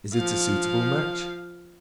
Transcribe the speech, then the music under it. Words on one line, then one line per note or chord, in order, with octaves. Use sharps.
"Is it a suitable match?"
F3 F5